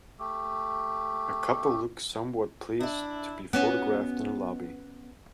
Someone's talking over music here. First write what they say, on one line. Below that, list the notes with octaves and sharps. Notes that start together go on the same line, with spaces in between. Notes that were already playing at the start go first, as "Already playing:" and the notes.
A couple looks somewhat pleased to be photographed in a lobby.
A3 G4
D4 E4 E5
B3 C#4 F#4